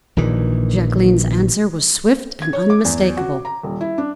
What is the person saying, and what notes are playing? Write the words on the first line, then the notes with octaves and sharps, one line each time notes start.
Jacqueline's answer was swift and unmistakable.
A#1 A#2 D#3 E3
G#6
C#5
D6
E2
F#4
A#5
D#1
E4
D4